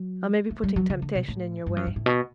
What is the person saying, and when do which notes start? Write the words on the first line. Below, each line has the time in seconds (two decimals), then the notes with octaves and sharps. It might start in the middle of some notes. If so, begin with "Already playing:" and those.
I may be putting temptation in your way.
Already playing: F#3
0.51 A3
0.64 G3
0.76 F#3
0.90 D3
1.02 D3
1.15 B2
1.28 A2
1.66 G2
1.77 F#2
1.87 G2
1.96 A2
2.06 B2